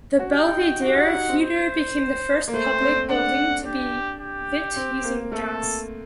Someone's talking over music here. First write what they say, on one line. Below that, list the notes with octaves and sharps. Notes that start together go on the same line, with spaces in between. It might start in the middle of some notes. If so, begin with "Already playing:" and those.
The Belvidere Theatre became the first public building to be lit using gas.
F#4
G4 G5
D#4
F#4
F#4
G4 F#5
D#4
F#4
D#4
C4
C5
A#3
A3 C5
C4
D4 F#5
G4
G4
C4
A#3
A3 A4